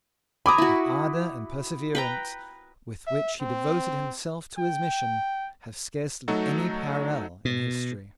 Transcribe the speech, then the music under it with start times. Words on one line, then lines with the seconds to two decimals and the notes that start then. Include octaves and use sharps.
The ardour and perseverance with which he devoted himself to his mission have scarcely any parallel in history.
0.46 G#5 A#5 B5 D6 D#6
0.58 E4 F#4
1.95 B4 G5 A#5
3.07 E5
3.41 C4
4.59 G5
6.28 F#3 A3 D#4 F#4 A4
7.45 B2